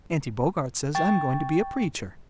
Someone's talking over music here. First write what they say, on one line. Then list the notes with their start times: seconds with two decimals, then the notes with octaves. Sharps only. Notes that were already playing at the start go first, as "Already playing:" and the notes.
Auntie Bogart says I'm going to be a preacher.
0.95 G5 C#6 A6